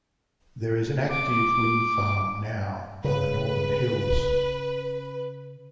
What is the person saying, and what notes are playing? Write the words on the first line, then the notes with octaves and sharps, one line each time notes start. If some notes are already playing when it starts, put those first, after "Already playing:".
There is an active wind farm now on the northern hills.
D6
C#3 B4